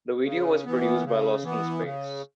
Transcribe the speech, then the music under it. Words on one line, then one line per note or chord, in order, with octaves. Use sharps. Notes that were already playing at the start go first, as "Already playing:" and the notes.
The video was produced by Lost in Space.
C#3
E3 B3
C#3
E3 B3
C#3